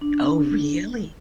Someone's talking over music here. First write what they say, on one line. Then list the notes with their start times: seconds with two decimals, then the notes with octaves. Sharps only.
Oh, really.
0.01 D4